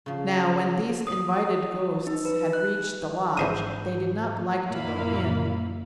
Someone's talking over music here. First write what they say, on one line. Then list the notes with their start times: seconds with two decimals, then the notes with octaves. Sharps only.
Now when these invited ghosts had reached the lodge they did not like to go in.
0.06 C#3 F3
1.07 D#6
2.07 D#4
2.25 B4
2.53 F#6
3.37 E2 G#2 E4 C5 D#6 G6
4.67 F#2 A#2 A#3 E4 F5 B5